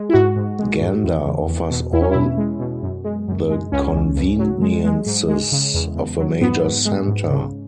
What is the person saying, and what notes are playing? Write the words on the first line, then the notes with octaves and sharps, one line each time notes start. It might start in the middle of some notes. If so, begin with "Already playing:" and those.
Gander offers all the conveniences of a major centre.
Already playing: G#3
E4
G#2 F#4
G#2
G#3
G#2
E2
E2
E2
B2
E2 E4
C#4
B2 E4
G#3
B2
F#2
G#3
F#2
G#3
C#2 C#4
C#2
C#2
F#3
G#3
G#3
G#2
G#3
C#3
E2
E2
F#3
G#2 B3
G#2
G#3
G#2
C#3